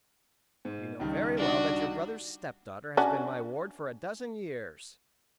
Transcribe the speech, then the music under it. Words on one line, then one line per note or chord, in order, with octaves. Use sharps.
"You know very well that your brother's stepdaughter has been my ward for a dozen years."
G#2
C#2 D#3 G3
D4 F#4
C#4 D4 F#4